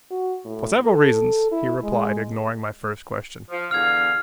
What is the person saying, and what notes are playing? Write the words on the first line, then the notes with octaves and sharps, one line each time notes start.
"For several reasons," he replied, ignoring my first question.
F#4
A2
A4
E4
G#3
F3
E2 D3 F5 F6 G#6